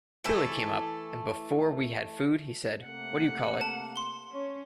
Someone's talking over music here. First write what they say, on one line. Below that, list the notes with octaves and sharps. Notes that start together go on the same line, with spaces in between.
Billy came up, and before we had food he said-What do you call it.
E3 A3 A4
C3 A3 A#3 F#5
A5
C6 G7
C#4 C#5